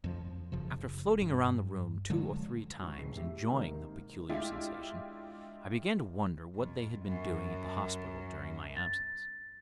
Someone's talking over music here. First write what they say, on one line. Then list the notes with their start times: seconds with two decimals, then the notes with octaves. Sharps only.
After floating around the room two or three times enjoying the peculiar sensation, I began to wonder what they had been doing at the hospital during my absence.
0.04 F2 F3
0.52 F#1 C#3 F3
1.22 G2
2.10 D3 F3 F#3 G#3
2.81 D2 G#2 C#6
2.98 F1 A2 G#4 C7
3.17 G4 E5
3.50 G#2 C3 D#3 A#3
4.29 G#3 D4 E4 F4 G4
6.55 F2
7.05 F#2
8.77 A6